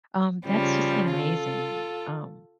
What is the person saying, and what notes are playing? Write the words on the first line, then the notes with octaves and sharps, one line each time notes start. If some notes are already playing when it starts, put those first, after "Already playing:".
um, that's just an amazing, um,
C#3 F3 G3
F4 A4